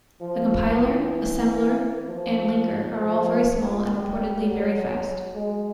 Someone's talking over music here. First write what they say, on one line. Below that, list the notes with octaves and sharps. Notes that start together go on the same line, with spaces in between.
The compiler, assembler and linker are all very small and reportedly very fast.
F3
E3
F3
F3
G3
F#3
G#3